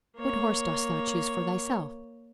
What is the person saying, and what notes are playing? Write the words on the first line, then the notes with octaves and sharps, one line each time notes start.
"What horse dost thou choose for thyself?"
A#3 C#5